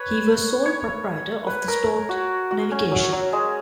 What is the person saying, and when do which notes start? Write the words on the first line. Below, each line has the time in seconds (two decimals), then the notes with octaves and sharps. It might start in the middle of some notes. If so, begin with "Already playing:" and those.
He was sole proprietor of the Stort Navigation.
Already playing: B4 C#5
0.66 C#5
1.47 B4
1.68 A#4
2.09 F#4
2.51 F#4
2.71 C#4
2.92 F#3
3.12 F#3
3.33 G#3